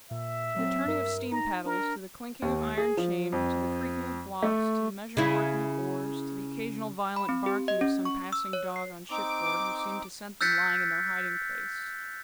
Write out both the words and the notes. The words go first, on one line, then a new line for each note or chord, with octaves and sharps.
To the turning of steam-paddles, to the clinking of iron chain, to the creaking of blocks, to the measured working of oars, to the occasional violent barking of some passing dog on shipboard, who seemed to scent them lying in their hiding-place.
A#2 E5
F#3 C4
G2 A#4
D#4 A#5
D4 A#4
D#2
G#4
F3
F2
A3
C#3 E4
B5
C4
G4
D#5
C#4
C#6
E6
C#5
C7
C4 D#4 D6
E6 F#6 G6 A6 B6 C#7